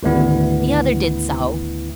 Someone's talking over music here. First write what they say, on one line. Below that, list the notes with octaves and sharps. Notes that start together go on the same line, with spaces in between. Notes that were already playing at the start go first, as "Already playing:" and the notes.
The other did so.
G#1 D2 B3 E4